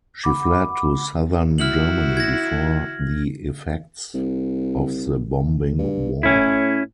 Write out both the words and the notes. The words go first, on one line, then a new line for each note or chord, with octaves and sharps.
She fled to southern Germany before the effects of the bombing war.
F#5 B5 D6
E4 F#4 F6 F#7
G#6 A#6
C2
G2
A2 C#4 E4